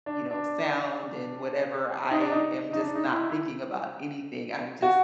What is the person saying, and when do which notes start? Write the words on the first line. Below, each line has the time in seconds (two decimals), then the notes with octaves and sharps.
you know, sound, and whatever, I am just not thinking about anything, I'm just
0.06 D4
0.31 D4
2.11 D#4
2.21 D4
2.32 D#4
2.73 D#4
2.79 D4
2.95 D#4
3.12 E4
3.30 E4
4.82 F#4